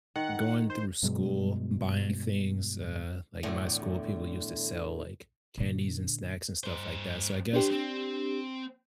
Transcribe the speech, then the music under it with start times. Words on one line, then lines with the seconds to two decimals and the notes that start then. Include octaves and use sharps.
going through school, buying things, uh, like, in my school, people used to sell, like, candies and snacks and stuff like that, so I guess,
0.16 D#3 F#5
0.70 C5
1.03 G2 B2 F#3 G#3
3.43 E2 A2 D3 A3
5.58 A#2 D3
6.64 G2 C5
7.53 B1 D4 G4 C5
7.72 C4